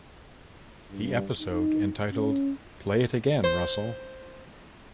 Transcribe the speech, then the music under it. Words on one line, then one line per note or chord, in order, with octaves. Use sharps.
The episode entitled "Play It Again, Russell".
G2
D#4
C#4
C5